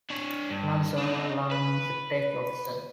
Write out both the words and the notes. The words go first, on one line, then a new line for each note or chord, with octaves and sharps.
Lon Sernan Lon is a Tech officer.
D4 C#5
G2
D4 D#4
B4